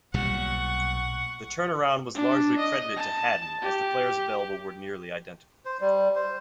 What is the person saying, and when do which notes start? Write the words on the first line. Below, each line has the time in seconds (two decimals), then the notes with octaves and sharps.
The turnaround was largely credited to Hadden, as the players available were nearly identical.
0.14 B1 A#2 G3 F#5 C#6
2.15 D4
2.59 D#5
2.97 A5
3.62 G4
5.65 C5
5.81 G3
6.15 C5